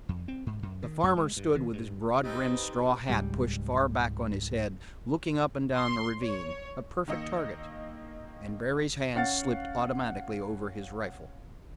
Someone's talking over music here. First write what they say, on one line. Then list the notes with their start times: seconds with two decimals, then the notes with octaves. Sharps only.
The farmer stood with his broad-brimmed straw hat pushed far back on his head looking up and down the ravine, a perfect target, and Barry's hand slipped automatically over his rifle.
0.09 F2
0.28 C4
0.46 G#2
0.63 F#2
0.82 D#3
1.03 F#2
1.17 G#3
1.37 G2
1.56 D#3
1.73 G2
2.24 A3 C4 D#4 F4 G4 B4 C5 D#5
3.09 C#2 G#2 G3
5.76 C6
6.21 C#5
7.08 D#3 A#3 D#5 E6 C#7
9.15 C#4 F5 F#5 A6